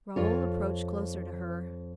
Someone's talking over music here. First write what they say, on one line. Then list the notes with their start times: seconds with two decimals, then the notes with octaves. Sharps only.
Raoul approached closer to her.
0.16 F2 F4 C#5